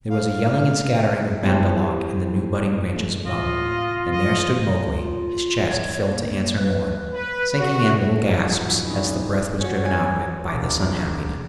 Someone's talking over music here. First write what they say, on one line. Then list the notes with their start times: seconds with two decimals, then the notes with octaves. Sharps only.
There was a yelling and scattering of Bandar-log in the new-budding branches above, and there stood Mowgli, his chest, filled to answer Mor, sinking in little gasps as the breath was driven out of it by this unhappiness.
0.10 F5
1.43 B3 E4 G4 A4 C5
2.96 E3 G#3 A3
3.27 A2 C3 F4 D#5
4.13 E3 F3 C4 D#5
4.98 F4
5.70 C#5
6.07 A#3
6.58 B4
7.13 B4
7.57 F#4
8.25 C2 F2 G#2 B2 F#3
8.52 G#4
8.68 F#3 E4 F#4 B4
8.90 G#3 C4 C#4 D#4
9.02 F2 C3
9.60 C#4 F#4 C#5
9.85 G#5
10.48 E1 D6